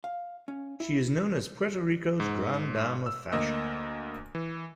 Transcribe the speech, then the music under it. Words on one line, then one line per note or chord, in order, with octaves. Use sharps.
She is known as "Puerto Rico's grande dame of fashion".
F5
C#4
E4
G#2
E6
D2 A#3 D#5 E6
E3